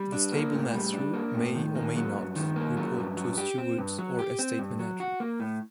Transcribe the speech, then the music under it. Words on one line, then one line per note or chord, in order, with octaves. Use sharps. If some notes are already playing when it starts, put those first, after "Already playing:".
The stable master may or may not report to a steward or estate manager.
Already playing: G3
D4
A#3
A2
G3
D4
A#3
A2
D#3
A#3
F#3
G2
D#3
A#3
F#3
G2
F#3
G4
C4
G2
F#3
G4
C4
G2
F#3
F#4
A#3
A2